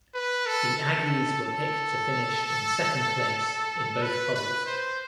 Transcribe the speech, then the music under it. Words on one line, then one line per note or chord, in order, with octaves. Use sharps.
The Aggies were picked to finish in second place in both polls.
B4
A4
A4
A4
B4
B4
C5